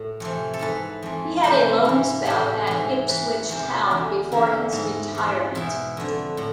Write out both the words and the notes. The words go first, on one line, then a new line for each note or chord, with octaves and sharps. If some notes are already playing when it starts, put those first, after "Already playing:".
He had a loan spell at Ipswich Town before his retirement.
Already playing: A2
F2 C3 E3
A4
G#2 E3 B4
F2 E3
F2 C3 E3 C5
G#2 E3
A2 E3 C5
G#2 E3
G#2 E3 B4
E2 C3 E3
E2 D3
E2 D3 E4
G#2 E3
G#2 E3
E2 B2 E4
F2 D3
A2